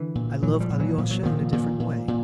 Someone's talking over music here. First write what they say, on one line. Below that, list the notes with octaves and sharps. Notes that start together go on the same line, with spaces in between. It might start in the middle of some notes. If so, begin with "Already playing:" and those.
I love Alyosha in a different way.
Already playing: D3 E3
A#2
A#2 E3 F#3
F#3
F3 G3
A#2
E3 F#3
A#2 F3
F#3
A#2 D#3 F3
A#2
A#2
A#2